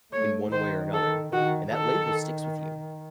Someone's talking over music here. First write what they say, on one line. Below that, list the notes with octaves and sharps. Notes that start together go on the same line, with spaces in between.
in one way or another, and that label sticks with you.
A3 C#5
D#3 C5
A4
D#3 F#4
D#3 A4